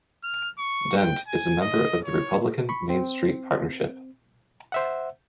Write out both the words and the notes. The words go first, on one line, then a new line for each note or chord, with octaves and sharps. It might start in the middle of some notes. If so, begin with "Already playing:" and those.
Dent is a member of The Republican Main Street Partnership.
F6
C#6
G5
G#5
D#5
C#5
B5 C#6
C4
C5 E5 F#5